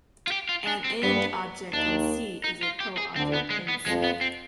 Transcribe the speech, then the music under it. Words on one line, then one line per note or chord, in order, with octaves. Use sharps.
An ind-object in "C" is a pro-object in "C".
F4
G4
F4
D4
C4
G2 G3 B3
D#2 D#3 D4
D#4
F4
G4
G#4
D2 D3 C4
B3
G#3
B3
F2 F3 G#3
B3
C4